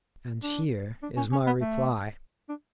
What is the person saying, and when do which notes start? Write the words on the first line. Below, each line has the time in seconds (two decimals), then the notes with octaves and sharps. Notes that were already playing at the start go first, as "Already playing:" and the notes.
"And here is my reply."
0.43 D4
1.03 D4
1.17 C#4
1.32 C#4
1.46 B3
1.61 A3
2.49 D4